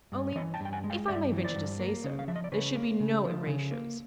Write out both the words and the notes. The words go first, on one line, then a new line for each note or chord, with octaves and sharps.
Only, if I may venture to say so, there should be no erasures.'
G2
E3 C#5 D#5
G5 A5
G2
G5
F#5 G#5
G#3
F5 G5
G2 D5 E5
E3
C5 D5
G2
A#3
C#3
F5
F3 E5
D#5
D5
C#3 B4 C#5
A#3
C#3
F3
C#3
A#3